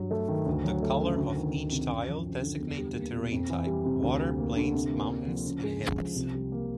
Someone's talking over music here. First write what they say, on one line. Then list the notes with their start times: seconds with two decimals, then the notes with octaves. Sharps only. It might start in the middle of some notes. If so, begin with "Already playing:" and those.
The color of each tile designate the terrain type; water, plains, mountains and hills.
Already playing: G2 F#3
0.11 A3
0.28 D#3
0.46 D2
0.64 F#3
0.82 A3
1.01 C#3
1.18 D2
1.36 D#3
1.53 D2
1.72 C3
1.90 F#2
2.07 F3
2.25 F#2
2.43 D3
2.60 E2
2.77 G3
2.96 A#3
3.13 B2
3.32 F2
3.50 E3
3.67 G3
3.85 C3
4.02 D2
4.20 G3
4.38 A#3
4.56 D3
4.73 C3
4.92 A#3
5.10 D4
5.27 F3
5.46 C#3
5.63 G#3
5.80 C#3
5.98 F3
6.16 C2
6.34 G3
6.52 A#3